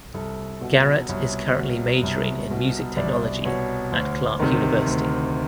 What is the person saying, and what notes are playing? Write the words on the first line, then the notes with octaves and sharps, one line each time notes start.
Garrett is currently majoring in music technology at Clark University.
C2 A4
B2
C2 C#5
B2
C2
B2
C2 D5
B2 C#5
D2
C3 D#3
D2